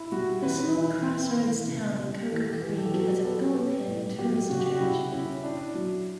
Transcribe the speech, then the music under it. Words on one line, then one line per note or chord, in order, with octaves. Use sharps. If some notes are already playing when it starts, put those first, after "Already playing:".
The small crossroads town of Coker Creek has a gold-panning tourist attraction.
Already playing: E4
G3 F#4
E3 B4
E3
E4
E3
C#3
G3
E3 A4
G4
E3 G4
A4
G4
F#3 A4
G4
B3 A4
B3 G4
A2
F#3 G4
C#3 F#4
G4
F#4
C#3 E4
C#4 E4
D4 E4
F#3